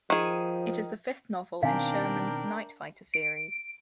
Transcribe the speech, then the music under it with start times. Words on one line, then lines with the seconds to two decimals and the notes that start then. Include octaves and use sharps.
It is the fifth novel in Sherman's Night Fighter Series.
0.10 D#3 F3 G#4
1.63 B2 D#3 C4 D4 A#4 F5 G5 G#5
3.14 D7